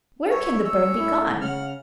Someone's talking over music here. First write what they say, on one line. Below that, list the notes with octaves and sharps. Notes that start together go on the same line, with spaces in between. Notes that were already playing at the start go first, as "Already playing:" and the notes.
Where can the bird be gone?
G3 C#5 E5
C#4 E6
A2 E4
C#3 F#5 F6